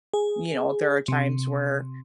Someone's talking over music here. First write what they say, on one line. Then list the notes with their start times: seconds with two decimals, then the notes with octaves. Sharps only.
you know, there are times where,
0.14 G#4
1.08 C3